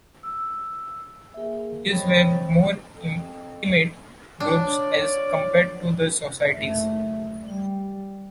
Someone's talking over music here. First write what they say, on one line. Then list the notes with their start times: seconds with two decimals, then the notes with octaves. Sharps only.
These were more intimate groups as compared to the societies.
0.23 E6
1.34 A#3 G#4 E5
1.90 C4 C#5 D#5 G5 B5 A6
2.88 F2
4.40 D4 F4 C#5 D5
6.48 F#1 D#2 A3
7.43 G3